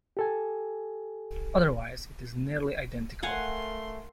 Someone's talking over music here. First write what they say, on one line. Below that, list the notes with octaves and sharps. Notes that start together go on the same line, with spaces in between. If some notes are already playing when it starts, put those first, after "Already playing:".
Otherwise it is nearly identical.
G4 A4 G#5
A3 A#4 F5 F#5 G#5 C6